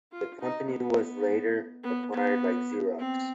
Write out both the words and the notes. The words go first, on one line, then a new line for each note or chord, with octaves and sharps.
The company was later acquired by Xerox.
F4
D#4
B3
B3
B3
C4